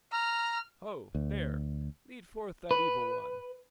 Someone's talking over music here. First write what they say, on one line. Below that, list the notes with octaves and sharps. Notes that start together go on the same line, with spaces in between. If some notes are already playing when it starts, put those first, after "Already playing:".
Ho! there, lead forth that evil one.'
A#5 F6
D2
B4